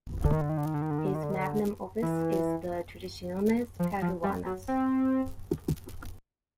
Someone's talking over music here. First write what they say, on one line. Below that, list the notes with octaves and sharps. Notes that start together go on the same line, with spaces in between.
His magnum opus is the "Tradiciones peruanas".
D3
D#3
D3
D#3
D3
D#3
D3
D#3
D3
D#3
D3
D#3
D3
D#3
D3
E3
F3
F3
G3
F#3
C4